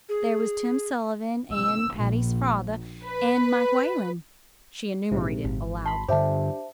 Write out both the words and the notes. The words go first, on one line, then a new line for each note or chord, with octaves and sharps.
"There was Tim Sullivan and Patty's father and Mike Whalen," she enumerated aloud.
G#4
E6
A#1
B4
A#1 G#2 C3
G#1
A5 B5 C6
G2 D3 D4 G4 C5 E5 A5